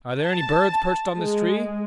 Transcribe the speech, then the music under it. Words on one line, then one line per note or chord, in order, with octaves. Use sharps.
Are there any birds perched on this tree?
A5
G#3